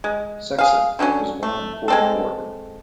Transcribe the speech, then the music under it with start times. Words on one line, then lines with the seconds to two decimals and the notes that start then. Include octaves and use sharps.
Sexson was born in Portland, Oregon.
0.04 G#3
0.59 G#4 F5
0.99 D3 E3 F#3 C#4
1.43 A3
1.88 G#3 C4 A4